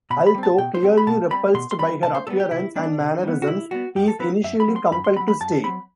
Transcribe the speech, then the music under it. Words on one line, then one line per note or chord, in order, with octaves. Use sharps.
Although clearly repulsed by her appearance and mannerisms, he is initially compelled to stay.
B2 B5
B5
G3 C4
A5
B2 G5
C5
G3 C4
B5
B2 A5
G3 C4 B5
B2 C6
C6
G3 C4 B5
C3 A5
C5
G3 B3 A4
G4
C3 E4
G3 B3 D4
C3
G3 B3
F#4
C3 E4
G3 B3 F#4
F#2 G4
A4
F#3 C4 B4
F#2 E5
B5
F#3 C4
C6
F#2 B5
C6
C4 B5
F#3
B5
F#2 A5
F#3 C4 B5